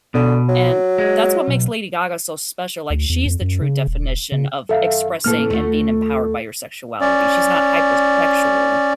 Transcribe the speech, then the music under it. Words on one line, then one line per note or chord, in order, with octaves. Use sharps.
And that's what makes Lady Gaga so special, like, she's the true definition of expressing and being empowered by your sexuality, she's not hypersexual.
B2 D3
F#3
G#3
B1
D2
E2
F2
F#2
C#3
D#1
C#3
F#2 D#3 A4 E5 F5
A2 E3 A#3 A4 F6
D#2 A3 F4 F#4
C#4 D5